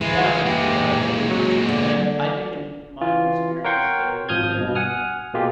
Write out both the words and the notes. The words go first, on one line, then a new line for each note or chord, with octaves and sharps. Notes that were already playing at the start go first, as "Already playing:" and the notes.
Yeah, for sure. I totally understand that. I think in my own experience, there has been,
E3 G#3 F4
A#2 G#3 G4
F#3
D3 D5
E3 F4
A#4 C#5 F#5 G5 C6 C#6
G#1 F3 D#6 F6 G6 G#6
G2 B2
F#5 G#5 D#6 F6
B2 A#3 F4 G4 G#4